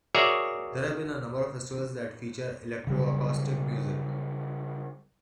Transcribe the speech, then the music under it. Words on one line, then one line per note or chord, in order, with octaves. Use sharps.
There have been a number of festivals that feature electroacoustic music.
F#4 G#4 A#4 C#5 D5 E5
C#3 F#3 G3